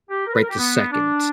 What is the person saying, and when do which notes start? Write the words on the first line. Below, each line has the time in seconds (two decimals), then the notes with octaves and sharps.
right this second,
0.10 G4
0.26 A#4
0.33 B4
0.41 A#4
0.50 G4
0.58 B3
0.90 D4